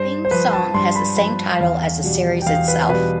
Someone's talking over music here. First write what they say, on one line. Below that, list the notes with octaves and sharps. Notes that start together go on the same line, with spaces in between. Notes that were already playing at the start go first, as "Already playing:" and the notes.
Theme song has the same title as the series itself.
Already playing: G2 C5
C5
F3 B4
A5
G2 C6
B5
F3 B5
E2 F5
B2 G3
G5
E2 F5
B4
B2 G3 B4